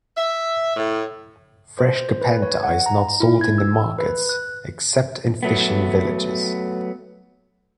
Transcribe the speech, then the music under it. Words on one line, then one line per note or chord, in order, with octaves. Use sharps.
Fresh kapenta is not sold in the markets, except in fishing villages.
E5
A2
C5
B4
C#5
F#5
A#5
E4
G#6
E6
B4
F#6
F#3 A3 B3